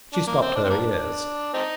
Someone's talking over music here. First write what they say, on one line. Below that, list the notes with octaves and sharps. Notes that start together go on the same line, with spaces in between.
She stopped her ears.
D4
A#3
C4
D4
C4
A#3 D4
C4 D#4